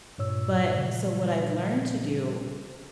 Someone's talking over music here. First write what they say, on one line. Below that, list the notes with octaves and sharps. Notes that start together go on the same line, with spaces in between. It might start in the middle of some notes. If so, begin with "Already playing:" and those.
But, so what I've learned to do,
G2 A#2 C#5 E6
A#2 C#3 F3 G3